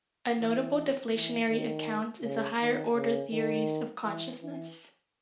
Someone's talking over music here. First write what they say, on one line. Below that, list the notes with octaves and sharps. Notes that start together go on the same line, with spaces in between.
A notable deflationary account is the higher-order theories of consciousness.
E3
E3
D#3
C#3
D#3
C#3
D#3
E3
E3